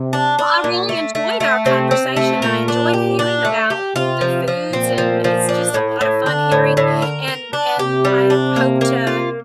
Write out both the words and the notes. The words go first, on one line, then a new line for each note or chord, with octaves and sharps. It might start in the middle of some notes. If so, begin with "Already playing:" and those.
Well, I really enjoyed our conversation. I enjoyed hearing about the foods, and it's just a lot of fun hearing and and I hope to,
Already playing: C3
D4
D4
A#2
A3
A3
A3
C3 C4
C4
C3
A3
A#2 A#4
D4
G4
D4
A3
G4
C3 F4
F3
F3
A#2 C4
F3
F3
D4
A2
A2
D3 D4
A2
A2
A#4
A#4
D4
C3 G4
G3
D4
A#3
A#3
F4